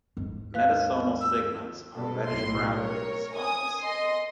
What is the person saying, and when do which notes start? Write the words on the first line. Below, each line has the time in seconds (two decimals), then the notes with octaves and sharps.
Metasomal segments are reddish brown with the spots.
0.17 D#2 G#2
0.54 B4 F5 F#6
1.21 E6
1.96 B2 A4
2.26 B1 A2 C6
2.70 A#4 C#5
3.35 G#5 D#6
3.82 D#5 C6